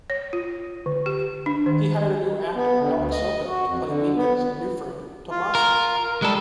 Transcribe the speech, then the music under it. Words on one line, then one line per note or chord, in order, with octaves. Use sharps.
He hired a new actor, Alex Soto, to play "Minga"'s new friend, "Tomasa".
C#5
F4
D3
G4
D4
D#3
B3
D3
D2
D#5
F#4
F2
D3
B3
F4
A#4
G3 G#3 A4